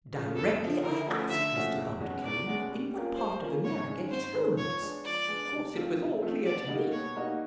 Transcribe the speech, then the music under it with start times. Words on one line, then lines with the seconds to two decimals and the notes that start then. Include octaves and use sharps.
Directly I asked Mr. Bundercombe in what part of America his home was, of course it was all clear to me.
0.13 C#3 F3
0.36 F2 A4
0.60 C#3 F3
0.83 D3 A#4
1.07 F3 A3 C#4 F#4
1.30 D3 E5
1.54 F3 A3 C#4 F#4
1.77 E2
2.00 B2 G#3 C#4 F#4
2.23 E2 D5
2.46 B2 G#3 C#4 F#4
2.70 G3
2.94 A#3 C#4 F4 A#4
3.17 G3 C5
3.40 A#3 C#4 F4 A#4
3.64 G#2 C#5
3.88 D#3 G#3 C#4
4.11 G#2 C5
4.34 D#3 G#3 C#4
4.58 F3 C#5
4.81 G#3 B3 D4
5.05 F3 D5
5.28 G#3 B3 D4
5.51 C3
5.75 F3 A3 C4 F4
5.98 C3
6.21 F3 A3 C4 F4
6.44 B2 D5
6.68 G3 A#3 D#4 F#4
6.92 B2 C#5
7.15 G3 A#3 D#4 F#4